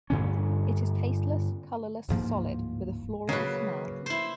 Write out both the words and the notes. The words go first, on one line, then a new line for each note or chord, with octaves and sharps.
It is tasteless, colourless solid with a floral smell.
G2 D3 C#4
D1 G#2 F3 A#3
C#3 F#3 A#3 B4
E4 C5